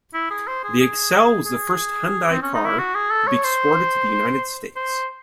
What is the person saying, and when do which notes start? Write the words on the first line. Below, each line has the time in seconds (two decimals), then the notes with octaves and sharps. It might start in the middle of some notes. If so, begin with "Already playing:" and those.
The Excel was the first Hyundai car to be exported to the United States.
0.14 E4
0.30 G#4
0.48 C5
0.64 G#4
0.80 G#4
1.46 G#4
2.30 C4
2.42 C#4
2.55 D#4
2.66 E4
2.79 F#4
2.95 G#4
3.11 A4
3.27 C#5
3.44 C5
4.76 C5